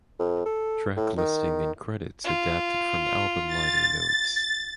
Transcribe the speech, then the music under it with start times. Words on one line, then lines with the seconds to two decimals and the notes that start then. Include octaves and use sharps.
Track listing and credits adapted from album liner notes.
0.19 F2
0.46 A4
0.96 A2
1.17 D#3
2.25 F4
3.46 A6